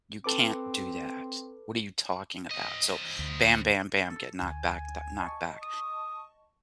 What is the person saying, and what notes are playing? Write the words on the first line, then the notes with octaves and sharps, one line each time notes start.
you can't do that. What are you talking about? So bam, bam, bam, get knocked back, d knocked back,
C4 A4 B4 D6
C4 D#5
D2
A4
D2 G#5
D#5 A5 C#6
D#6